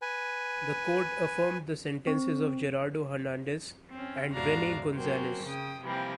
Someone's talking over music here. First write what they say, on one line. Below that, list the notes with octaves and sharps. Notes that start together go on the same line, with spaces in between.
The court affirmed the sentences of Gerardo Hernandez and Rene Gonzalez.
B4 G#5
C4
C4 C#4
E2 G#2 D4 F#4 F5 A#5
F#3 A#3 C4 C#4
C#3 G5 D#6
C3 E3 F3 G3 A#3 C4